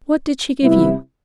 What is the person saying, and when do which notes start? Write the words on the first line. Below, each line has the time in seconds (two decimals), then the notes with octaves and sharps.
'What did she give you?'
0.62 C3 G3 B3 E4